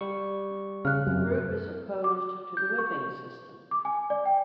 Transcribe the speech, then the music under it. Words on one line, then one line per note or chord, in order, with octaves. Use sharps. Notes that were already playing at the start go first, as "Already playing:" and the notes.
The group is opposed to the whipping system.
G3 C#6
C#3 F6 F#6
F#2 C3
D6
G6
C#6
D6
G#5
D5
G5